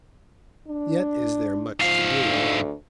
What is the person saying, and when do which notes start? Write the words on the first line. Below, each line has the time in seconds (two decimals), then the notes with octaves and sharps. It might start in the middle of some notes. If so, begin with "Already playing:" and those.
Yet is there much to do.
0.68 D4
1.80 G#2 F3 F5
2.26 D2